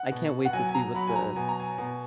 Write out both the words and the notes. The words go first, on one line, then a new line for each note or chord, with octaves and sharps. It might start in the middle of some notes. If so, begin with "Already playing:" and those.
I can't wait to see what the
Already playing: F#5
B2
F#5
F#3 G#5
G#5
A#5
F#3 B5
G#5
A#5
B2 G#5
A#5
G#5
B2